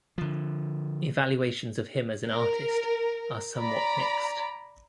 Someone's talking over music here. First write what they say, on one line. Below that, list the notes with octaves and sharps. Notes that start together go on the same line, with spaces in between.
Evaluations of him as an artist are somewhat mixed.
D3 F3
A#4
D5 A#5 B5